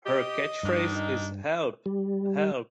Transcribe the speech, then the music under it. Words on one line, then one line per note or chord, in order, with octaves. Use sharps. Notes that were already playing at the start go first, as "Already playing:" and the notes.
Her catchphrase is Help, help!
G4 D#5
G2 D#3 D4 D#4
G3